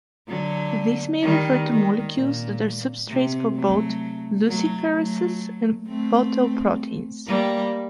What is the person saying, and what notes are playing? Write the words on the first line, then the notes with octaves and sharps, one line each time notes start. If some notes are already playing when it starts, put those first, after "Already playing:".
This may refer to molecules that are substrates for both luciferases and photoproteins.
D3 F#3
D#3 G3
D#3
A#2
C3
F#3 A3
F#3 A3
F#3 A3
A3 C4
G3 A#3